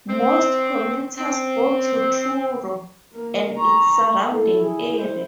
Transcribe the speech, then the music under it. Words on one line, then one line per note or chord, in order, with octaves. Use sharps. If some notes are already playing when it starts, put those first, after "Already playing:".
Most commuters go to Truro and its surrounding area.
C4
C4
A#3 A#4
A#5 C#6
E4 A4
G#4
C5